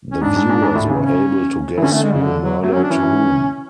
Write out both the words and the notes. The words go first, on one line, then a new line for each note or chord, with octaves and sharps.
The viewers were able to guess who murdered whom.
C#4
G#2 D4
G#2
G#2
G#2
A2
C#3
C#4
E3
D3 C#4
A3
G#3
C#3
D3
F#3
F#3 A3
C#4
F#3
D4
E3 C#4
E3